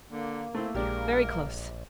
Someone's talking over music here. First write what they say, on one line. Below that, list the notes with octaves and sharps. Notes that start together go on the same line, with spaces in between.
Very close!
D3 A#3
A3 C4 E4
A#1 G#3 D4 G4 A#4